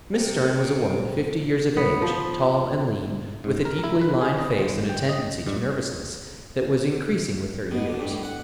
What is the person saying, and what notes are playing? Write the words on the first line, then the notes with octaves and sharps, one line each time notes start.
Miss Stearne was a woman fifty years of age, tall and lean, with a deeply lined face and a tendency to nervousness that was increasing with her years.
C3
B3
F3
G#2
A#4
E4
B4
G#4
D#5
G1
G5
D#5
G2
B2
D3
G2
A2
F#5